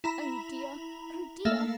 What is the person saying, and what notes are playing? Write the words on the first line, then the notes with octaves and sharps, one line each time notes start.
Oh dear, oh dear!
E4 A#5 B5
A3 A#3 A4 E5 F5